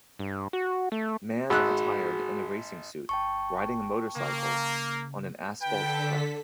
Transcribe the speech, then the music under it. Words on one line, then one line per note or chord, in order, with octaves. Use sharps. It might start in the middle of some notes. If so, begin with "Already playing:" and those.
Man attired in racing suit, riding a motorcycle on an asphalt track.
G2
F#4
A3
G#1 F#4 G#4 B5 E6 F#6
G1 G5 A5 C#6
C#3 A#3
D3 A4 B4 G5 B6